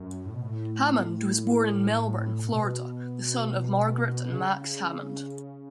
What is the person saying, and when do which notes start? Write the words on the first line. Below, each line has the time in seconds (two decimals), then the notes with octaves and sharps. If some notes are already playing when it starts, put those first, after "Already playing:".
Hammond was born in Melbourne, Florida, the son of Margaret and Max Hammond.
Already playing: F#2
0.26 A2
0.34 B2
0.42 A2
2.44 A2
2.52 B2
4.32 C#3